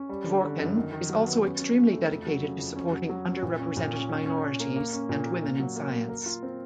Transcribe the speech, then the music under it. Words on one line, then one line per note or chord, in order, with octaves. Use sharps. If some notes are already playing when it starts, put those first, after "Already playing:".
Dvorkin is also extremely dedicated to supporting underrepresented minorities and women in science.
Already playing: C#4
G3
D3
D3
F#2
D#3
D#3
F#3
B3
C#4
C#4
C#4
A3
F2
F#3
C#3
F2
C#4
F#3
F#3
C#4
A#2
C#4
A#2
C#4
C#4
C#4
C#4
A#3
A#3
C#4
A#2
A#3
A#3
F#3
A#3
A#3
A#4
F4
C4